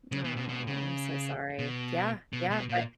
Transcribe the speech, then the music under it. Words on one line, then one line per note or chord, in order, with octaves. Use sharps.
Oh, I'm so sorry. Yeah. Yeah. But
C#3
B2
B2
B2
C#3
B2
B2
B2
A#2